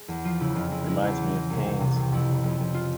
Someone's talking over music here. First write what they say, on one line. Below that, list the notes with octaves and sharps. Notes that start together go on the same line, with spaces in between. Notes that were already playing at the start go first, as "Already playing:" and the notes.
Reminds me of Cannes.
Already playing: G#3
E2
F3 F4
C#3 E4
F2 F4
G#3 E4
G#3 E4
E2
E3
G#3
C2
C2
C3
C2
F2 E4
C#3
F2
F2
F4